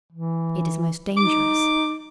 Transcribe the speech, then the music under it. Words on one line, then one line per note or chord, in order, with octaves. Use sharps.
"It is most dangerous."
E3
D#4 D6